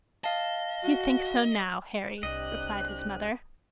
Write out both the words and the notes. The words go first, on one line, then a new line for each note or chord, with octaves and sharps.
'You think so now, Harry,' replied his mother.
D#5 F5 A5
F#4
C2 C4 D4 G4 D#5 F#6